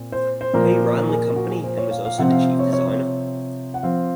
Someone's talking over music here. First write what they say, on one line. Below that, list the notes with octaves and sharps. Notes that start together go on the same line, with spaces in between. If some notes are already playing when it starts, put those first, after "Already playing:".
He ran the company and was also the chief designer.
Already playing: A#2 C4
C5
C5
A#2 F3 A#3
G#4
A#4
F#4
G#4
C5
C#5
F5
F5
C3 F3 C4 F#5
F5
C#5
C#5
C#5
F#5
F3 C4 F5